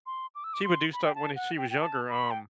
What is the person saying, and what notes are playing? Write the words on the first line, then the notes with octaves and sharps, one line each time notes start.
she would do stuff when e she was younger um,
C6
D6
E6
D6
C6
B5
G5
A5
F#5
G5
G5
A5
B5
G5